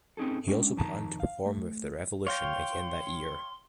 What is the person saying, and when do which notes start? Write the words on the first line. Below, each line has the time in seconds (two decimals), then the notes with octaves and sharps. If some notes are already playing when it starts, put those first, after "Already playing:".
He also planned to perform with The Revolution again that year.
0.17 C4 C#4 D#4 G#4 A4
0.48 G#3 C#4 D4
0.76 F2 D#3 A5 A#5
1.20 F5
1.46 A3
2.27 C#5 F5 G5 C6